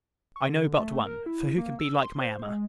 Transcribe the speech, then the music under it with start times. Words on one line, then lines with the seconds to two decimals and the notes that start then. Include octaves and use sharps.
I know but one; for, who can be like my Emma?
0.36 C#6
0.49 D3
0.79 A3
1.06 A#4
1.26 E4
1.58 A#3
1.79 E6
1.99 C6
2.21 C5
2.43 G#3